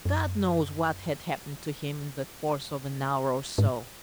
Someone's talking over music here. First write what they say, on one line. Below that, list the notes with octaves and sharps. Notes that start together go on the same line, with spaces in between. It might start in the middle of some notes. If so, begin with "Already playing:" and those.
God knows what had happened to him in the course of an hour or so.
F#2
G#2